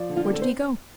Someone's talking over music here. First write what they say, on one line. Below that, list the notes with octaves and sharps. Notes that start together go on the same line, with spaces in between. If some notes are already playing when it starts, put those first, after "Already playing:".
Where did he go?
Already playing: F3 D5
D3
F4
G4
C4 A4
C5